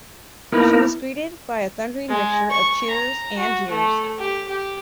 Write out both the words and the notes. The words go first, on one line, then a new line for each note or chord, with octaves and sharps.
She was greeted by a thundering mixture of cheers and jeers.
A#3 B3 D#4 E4 A#4 B4
G#3
C#6
A#5
F#4
A3
G4
G4